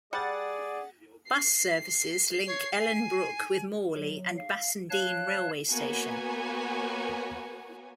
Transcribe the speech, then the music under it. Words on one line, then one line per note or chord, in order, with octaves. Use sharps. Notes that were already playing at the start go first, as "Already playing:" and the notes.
Bus services link Ellenbrook with Morley and Bassendean railway station.
G3 G#4 D5 F#5 A6
C7
C#5
G#5
F#3
F5
C#5 F5 A5 F#6
A#3 B3 F#4 C#5 G#5